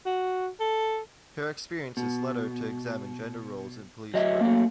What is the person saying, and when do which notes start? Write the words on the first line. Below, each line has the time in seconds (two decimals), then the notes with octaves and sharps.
Her experiences lead her to examine gender roles in police work.
0.06 F#4
0.60 A4
1.97 B2
4.14 F#3 D#5 E5
4.41 F#3 A3 A#3